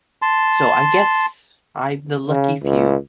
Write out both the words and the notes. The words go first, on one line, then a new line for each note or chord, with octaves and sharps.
So I guess I'm the lucky few.
A5 C6
C#3
C#2